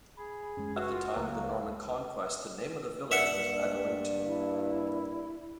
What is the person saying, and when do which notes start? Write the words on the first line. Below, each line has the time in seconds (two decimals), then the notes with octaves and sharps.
At the time of the Norman conquest the name of the village was Adelinctune.
0.17 G#4 B5
0.57 F#1 G#3 C#4
0.76 F#4 B4
0.89 F4
1.16 C#2 F#3 A#3
3.12 G2 A#3 D5 E5 F#5
4.26 E4